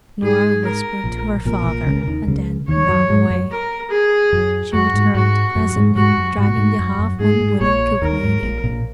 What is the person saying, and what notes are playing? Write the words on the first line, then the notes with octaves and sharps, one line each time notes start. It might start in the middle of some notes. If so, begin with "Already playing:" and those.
Norah whispered to her father, and then ran away. She returned, presently, dragging the half-unwilling cook-lady.
G#2 G#4
A#4
A#1 A#2
A#1 A#2 A#4
A#1 A#2
C#2 C#3
D#2 D#3
C#2 C#3
D#2 D#3 C#5
F#2 F#3
G#2 G#3
F#2 F#3
A#4
G#4
F#2 F#3
F#2 F#4
G#2
G#2 G#3 F#4
F#2 F#3
G#2 G#3
G#2 G#3 F#4
F#2
G#2 F#4
A#2
G#2
F#2
F#2
G#2 G#4
G#2
A#1 A#2 C#5
D#2 D#3 A#4
G#2
A#1 A#2
A#1 A#2